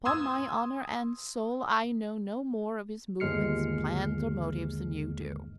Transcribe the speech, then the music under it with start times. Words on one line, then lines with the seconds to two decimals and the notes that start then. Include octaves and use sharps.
Upon my honour and soul I know no more of his movements, plans, or motives, than you do.
0.05 C6 D#6 E6 G#6
3.20 G1 D#2 G#3 F6 C7 C#7